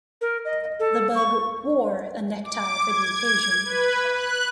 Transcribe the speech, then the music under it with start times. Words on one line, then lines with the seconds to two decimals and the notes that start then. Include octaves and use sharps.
The Bug "wore" a necktie for the occasion.
0.21 A#4
0.45 D#5
0.80 A4
1.15 C#6
2.43 D6
2.87 G#6
3.64 B4
4.11 F#6